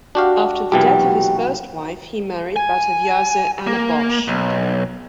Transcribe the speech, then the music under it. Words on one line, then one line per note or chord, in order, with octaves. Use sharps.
After the death of his first wife, he married Bataviase Anna Bosch.
D4 F#4 G4 F5
B1 A#2 E3 G4
G#5
A#3
B1